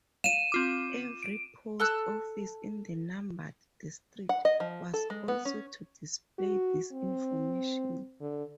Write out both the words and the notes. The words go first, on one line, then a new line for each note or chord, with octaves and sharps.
Every post office in the numbered district was also to display this information.
F5 D#7 E7
C4 F4 D6
D7
A4 A5 E6 F#6
F#5
D#5
F3
A4
G#3
B3
C#4
F#4
C4
D3